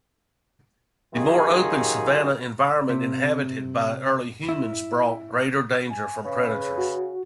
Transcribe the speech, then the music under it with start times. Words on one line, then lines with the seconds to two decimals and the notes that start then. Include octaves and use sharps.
The more open savannah environment inhabited by early humans brought greater danger from predators.
1.14 F#2 D#3 F4 G4 G#4
2.89 C3
4.49 E4
5.91 G#5
6.25 C#3 B4
6.78 F#4